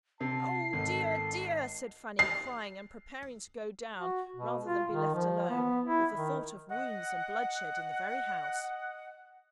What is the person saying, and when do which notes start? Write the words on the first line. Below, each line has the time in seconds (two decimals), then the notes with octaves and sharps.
'Oh, dear, dear!' said Fanny, crying, and preparing to go down rather than be left alone, with the thought of wounds and bloodshed in the very house.
0.21 C3 A5 C7
0.73 G#1 A4
2.19 C7
3.97 F#4
4.36 B2
4.65 F4
4.91 D#3
5.14 F3
5.50 B3
5.84 E4
6.15 D#3
6.70 D#5 F#5